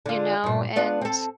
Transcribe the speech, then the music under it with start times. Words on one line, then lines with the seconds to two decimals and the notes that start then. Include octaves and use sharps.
you know, and
0.06 D3 F4
0.44 G2 A#2
0.76 B3 D4 F4
1.02 C4 A4